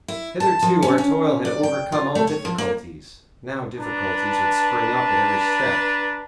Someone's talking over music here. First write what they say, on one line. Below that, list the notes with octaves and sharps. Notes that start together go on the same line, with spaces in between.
Hitherto our toil had overcome all difficulties, now difficulties would spring up at every step.
E4
A5
F3
C#4
C#4
D5
G5
F4
A3
C#5
F3
A#3
D4 B4 A5 A#5